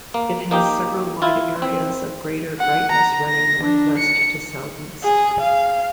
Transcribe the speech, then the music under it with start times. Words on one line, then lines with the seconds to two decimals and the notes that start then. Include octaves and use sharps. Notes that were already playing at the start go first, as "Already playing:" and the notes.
It has several wide areas of greater brightness running northwest to southeast.
0.14 A#3
0.51 A#3 D#4 G4
1.22 E4 F4
1.62 C4
2.59 F#5
2.92 A#5
3.29 A#6
3.63 D4
3.98 C#7
5.03 G#4
5.41 F5